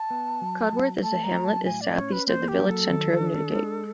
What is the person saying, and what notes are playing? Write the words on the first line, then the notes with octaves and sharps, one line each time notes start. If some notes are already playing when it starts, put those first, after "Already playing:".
Cudworth is a hamlet is southeast of the village centre of Newdigate.
Already playing: A5
B3
F#3
F#3
A3 A5
A#5
F#3
A5
A2 G#5
D5
C#4 C#5
B4
A#3 C5
G4
F#3
A4
D#3
D4
G#3